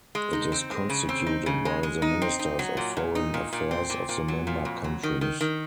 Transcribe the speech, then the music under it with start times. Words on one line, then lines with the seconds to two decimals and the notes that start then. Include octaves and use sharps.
It is constituted by the Ministers of Foreign Affairs of the member countries.
0.15 G#3
0.33 D#4
0.52 C4
0.71 G#3
0.89 C#3
1.09 C4
1.27 D#4
1.46 C#3
1.65 G#3
1.83 G#3
2.02 D#4
2.22 C4
2.39 D#4
2.59 F#3
2.77 A#2
2.97 A#2
3.15 D#4
3.34 A#2
3.53 A#2
3.71 C4
3.90 A#2
4.09 A#2
4.28 F#3
4.47 A#2
4.65 F2
4.84 F#3
5.03 D#3
5.21 D#3
5.41 D#3